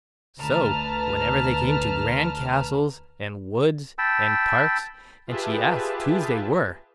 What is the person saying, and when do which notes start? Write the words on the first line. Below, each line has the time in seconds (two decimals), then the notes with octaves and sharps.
So, whenever they came to grand castles, and woods, and parks, and she asked whose they were?
0.40 D2 B4 A5 A#5 F6
3.98 G5 A5 B5 E6
5.27 F4 G4 G#4 B4 E5 A5